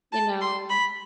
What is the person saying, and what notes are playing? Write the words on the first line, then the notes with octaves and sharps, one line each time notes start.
you know
A5
C6
B5